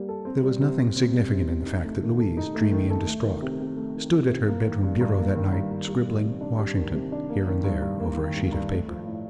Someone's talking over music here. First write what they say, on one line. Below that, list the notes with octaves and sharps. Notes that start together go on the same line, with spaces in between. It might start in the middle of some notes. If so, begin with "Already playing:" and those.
There was nothing significant in the fact that Louise, dreamy and distraught, stood at her bedroom bureau that night, scribbling "Washington" here and there over a sheet of paper.
Already playing: G3 A#3
A4
C4
G3
C3
C3
C4
G3
C3
C3
D#4
A3
D#3
A4
D#4
A3
D#3
A4
A3
D#3
C3
C3
A3
D#3
C3
C3
A#3
D#3
G2
G2
A#3
D#3
G2
G2
G3
D#3
C3
D4
G3
D#3
C3
D4
A#3
D#3
G2
G2
A#3
D#3
G2
G2
A3
F3
A2